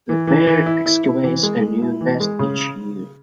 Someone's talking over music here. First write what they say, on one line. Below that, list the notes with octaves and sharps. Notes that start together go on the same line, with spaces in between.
The pair excavates a new nest each year.
E3
E3
E3
E4
E4
E4
E3
G#3
G#3
E4
E3
G#3
C#3